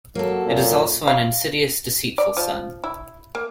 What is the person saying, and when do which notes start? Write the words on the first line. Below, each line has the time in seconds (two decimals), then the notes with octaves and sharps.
It is also an insidious, deceitful sun.
0.15 F#3 A#3 A4
0.46 F#2 A#2
1.08 F5
2.18 D5
2.37 F3
2.84 E4
3.35 A#3